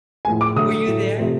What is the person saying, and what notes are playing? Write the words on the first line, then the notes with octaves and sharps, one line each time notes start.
Were you there?
A2 F3 G#3 G#5
D6
D3 F#3 A3 D#6
A2 F#3 A3
C3 F3 A3